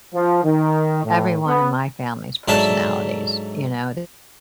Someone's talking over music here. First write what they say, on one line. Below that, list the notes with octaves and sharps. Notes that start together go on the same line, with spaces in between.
everyone in my family's personalities, you know,
F3
D#3
A2
B3
G#2 F#3 D4 A4 E5 A5